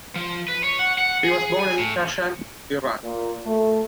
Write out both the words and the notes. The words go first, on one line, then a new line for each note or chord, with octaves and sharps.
He was born in Kashan, Iran.
F3
B4
C#5
F#5
F#5
G#4
G#5
A2
A#2
A3